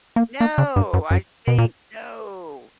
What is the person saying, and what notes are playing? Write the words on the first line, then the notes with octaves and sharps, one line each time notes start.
No! I think, no.
A#3
A#3
C#3
G2
F#2
F#2
B2
A#2